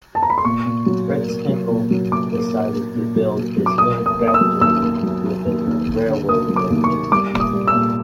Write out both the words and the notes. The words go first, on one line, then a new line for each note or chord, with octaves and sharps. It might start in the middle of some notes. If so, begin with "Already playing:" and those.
Fritz Henkel decided to build his own factory with a railway link.
A5
A#5
B5
C6
A#2 C#6
A#2
F#3
A#3
A#3
F#3
A#2
F#3
A#2 D6
A#3
A#2
A#3
A#2
F#3
A#2
F#3
D6
A#3 D#6
A#3
D#6
A#3
D#6
E6
F#3
D#2 E6
A#3
F#3
F#3
D#2
D#2
D#2
D3
A#3 D#6
F#3
D6
D#2
C#6
A#3
G3 D6
A#2
D#6
G3
E6
A#2